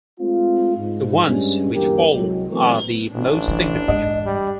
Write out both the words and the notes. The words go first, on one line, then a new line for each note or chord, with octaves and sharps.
The ones which follow are the most significant.
G#3 A3 C4 F4
G#2
G2 G3 G#3 C#4
D2 G2 E3 A#3 G4 A#4
C2 F#3 G#3
E3 F#3 A3 B3 C4 A#4
A1 D4
E3
G#2 D#5
G3